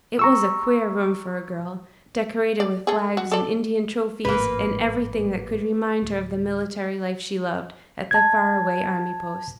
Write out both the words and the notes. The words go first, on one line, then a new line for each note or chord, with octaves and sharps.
It was a queer room for a girl, decorated with flags and Indian trophies and everything that could remind her of the military life she loved, at the far-away army post.
A#5 C#6 E6
D5
G#4 A4
F#4
A4 D5
G#1 F2 A2 A#3 B4
D1
A5 G#6